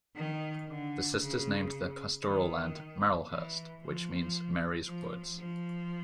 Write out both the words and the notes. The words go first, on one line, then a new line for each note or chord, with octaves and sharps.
The Sisters named the pastoral land Marylhurst, which means "Mary's Woods".
D#3
D3
C#3
D#3
E3
F3
F3
F3